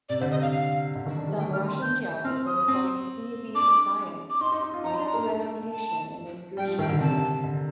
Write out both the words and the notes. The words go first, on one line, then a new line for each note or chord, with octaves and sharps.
Some Russian geographers, like D. V. Zayats, point to a location in Ingushetia.
C3 D5
D3 C5
C3 D#5
F5
F5
D3
D#3
D4
G3
A3 G5
F6
C6
G6
C4 F6
D#6
C4
D4 D6
D6
D#4 C6
D#4
D#4
F4
D#4 A#5
D4 C6
A#5
A#3
A3
A5
G3 G5
F3
D#3 G5
D3
C3 A5
D3